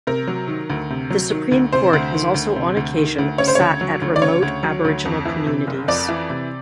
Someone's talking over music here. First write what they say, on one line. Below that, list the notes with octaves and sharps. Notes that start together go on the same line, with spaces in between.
The Supreme Court has also on occasion sat at remote aboriginal communities.
C3 A#4
F#3
D#3
D2
C3
F#3
D#3
D2
C3 C5
D2
D#3
D2
C3
D2
D#3
D2
C#3 C#5
C5
D2 C#5
F#3
D2
D5
C#3 C#5
D2
F#3
D2
F2
E3
C3
F#1
F2 D5
E3
C3